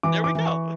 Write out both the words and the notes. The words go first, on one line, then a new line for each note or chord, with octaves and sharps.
There we go.
E3 D6
D6
E3
C#6